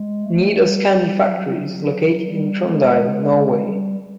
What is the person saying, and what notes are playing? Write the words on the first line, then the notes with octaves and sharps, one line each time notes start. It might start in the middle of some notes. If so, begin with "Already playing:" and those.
Nidar's candy factory is located in Trondheim, Norway.
Already playing: G#3
A3
G3
F#3
G3
G#3
G3